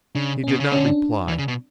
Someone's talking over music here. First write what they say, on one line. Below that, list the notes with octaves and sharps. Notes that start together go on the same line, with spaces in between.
He did not reply.
C#3 D4
B2 C#4
C#3
D3 C#4
D4
E3
C#3
B2